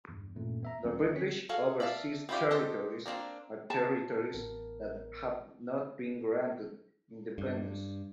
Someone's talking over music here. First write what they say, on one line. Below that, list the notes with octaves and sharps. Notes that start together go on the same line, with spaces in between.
The British Overseas Territories are territories that have not been granted independence.
E2 G2
E2 G2 A#2 A3 C#4
B3 E5 A#5
D#2 F#3 A3 C4 C#4
D#4 E4 D#5
D3 C4 C#4 C#5 B6 C#7
F#4 G#4 A4 F5
D5 E5 F5 A5
C4 E4 F4 G4 D5
G4 C5 D#5 A5
A#3 C4 D4 A#4
A5
A1 B3 A#4
G2